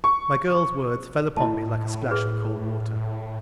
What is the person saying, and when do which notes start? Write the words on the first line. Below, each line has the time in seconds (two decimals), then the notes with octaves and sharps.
My girl's words fell upon me like a splash of cold water.
0.04 C#6
1.37 A2 E4 D#5 A5
2.11 G#4 B4